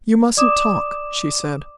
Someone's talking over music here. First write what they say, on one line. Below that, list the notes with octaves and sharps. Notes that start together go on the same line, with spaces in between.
"You mustn't talk," she said.
D5 D6 D#6 E7